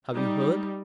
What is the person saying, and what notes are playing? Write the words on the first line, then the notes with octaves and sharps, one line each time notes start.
Have you heard?
G3 D#4